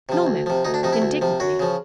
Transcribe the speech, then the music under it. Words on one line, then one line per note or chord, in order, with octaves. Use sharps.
"No, ma'm," indignantly.
C3 F3
D2
C3 F3
D2 D#4
D4
C3 F3 D#4
E4
D2
C3 F3
F#2 F#4
C#3 F3